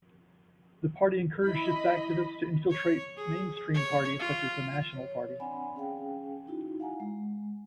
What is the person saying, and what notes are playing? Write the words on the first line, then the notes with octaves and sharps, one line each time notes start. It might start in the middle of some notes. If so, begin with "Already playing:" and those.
The party encouraged its activists to infiltrate mainstream parties such as the National Party.
E4 D#5 B5
C#5
G#4
C#5
F4
C#5
C4 D4 D5 F#5 G#5 B5
C#4 G#4 F5 G5
D#4 E4 F#4
F5 F#5 G#5 A#5
G#3